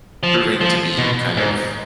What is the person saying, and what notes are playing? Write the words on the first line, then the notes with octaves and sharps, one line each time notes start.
proving to be kind of
F3
F3
B2
G#2